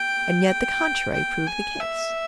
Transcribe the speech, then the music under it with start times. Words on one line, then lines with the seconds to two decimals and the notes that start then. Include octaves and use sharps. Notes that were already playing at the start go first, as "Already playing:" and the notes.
And yet the contrary proved the case.
Already playing: G5
0.48 G5
1.13 G5
1.47 G#5
1.80 E5